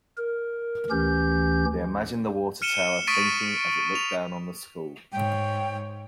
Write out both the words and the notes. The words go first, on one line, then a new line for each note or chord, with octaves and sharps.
They imagined the water tower thinking as it looked down on the school.
A#4
D2 E3 C#4 G4 G6
F6 C#7 D#7 E7 G7
C#6 D#6 A6 B6 D7 D#7
F7
G#2 C#5 G5